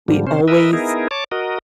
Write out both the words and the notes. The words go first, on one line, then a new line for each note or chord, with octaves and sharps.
we always,
G#2 D3 F3 G3
C3 C#4 C5
A#4 B4 D#5 E5
B3 D#4 E4 G#4 A#4
C#5 A5 D6
F#4 A#4 D#5